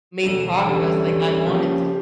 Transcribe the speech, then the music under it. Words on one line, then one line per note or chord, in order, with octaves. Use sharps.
made progress like I wanted to."
E1 D2 D3
E2 D3 G3 C#4
E2 D3 G3 C#4
C#3 F3 A#3 C#4 G4
G4